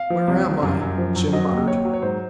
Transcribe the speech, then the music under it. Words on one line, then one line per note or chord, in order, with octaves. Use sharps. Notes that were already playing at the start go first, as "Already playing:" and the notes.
"Where am I?" Jim muttered.
Already playing: F5
F3
C2
C2
F#2
F#2
F3
F#2
F#3 D#5
D#2
F#3 C#5
F#3
C#5
G#2 C5